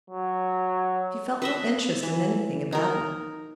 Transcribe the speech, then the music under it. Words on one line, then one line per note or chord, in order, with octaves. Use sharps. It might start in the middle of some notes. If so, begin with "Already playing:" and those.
She felt no interest in anything about her.
F#3
B4 D#5 E5
E3
D#4 A#4